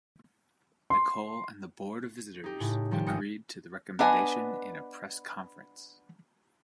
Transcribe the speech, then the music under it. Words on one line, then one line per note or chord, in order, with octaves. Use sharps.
Nichol and the Board of Visitors agreed to the recommendation in a press conference.
C6
D#4 G4
A2 C#3
D#3 F3 G3 G4
G#1 D#5 G5 D#6 C#7
B3 D4 B4 D#5 G#5